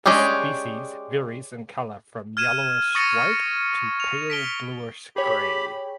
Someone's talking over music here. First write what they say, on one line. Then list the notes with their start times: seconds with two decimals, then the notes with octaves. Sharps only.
This species varies in colour from yellowish white to pale bluish gray.
0.06 G#3 C#4 D4 G4 G#4
2.37 F6 G#6 D#7 E7
2.95 C#6 D#6 A6 A#6 C#7 D#7
4.00 F7
4.30 B6 D7 G7
5.16 G4 G#4 C#5 G5 B5